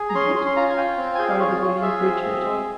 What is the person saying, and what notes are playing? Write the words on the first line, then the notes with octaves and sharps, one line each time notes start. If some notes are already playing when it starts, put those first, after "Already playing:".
"Is it?" cried the relieved Richard.
Already playing: G#4
A#5
C#4 C6
C#4 C6
C6
F4 A#5
G#5
F4 G5
C4
G#5
G#4 G5
F5
F4 C#5
F4 C#5
G#4 E5
C4
G#4
G#3